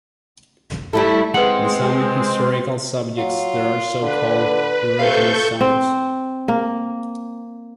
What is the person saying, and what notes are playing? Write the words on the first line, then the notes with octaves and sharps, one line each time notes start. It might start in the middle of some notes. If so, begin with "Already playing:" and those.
In some hysterical subjects there are so-called erogenous zones.
G3 A3 E4 A4
G#3 C4 B4 F#5 C#7
F#3 F4
D3 B4
C3 A4 F5 C#6 G6
C4
A#3